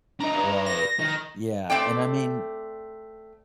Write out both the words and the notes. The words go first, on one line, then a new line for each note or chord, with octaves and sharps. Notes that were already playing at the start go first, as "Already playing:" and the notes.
Right. Yeah. And I mean
D4 D#5 A#5
B4 D5
A#6
D#3 D#4
A3 C4 D5 G5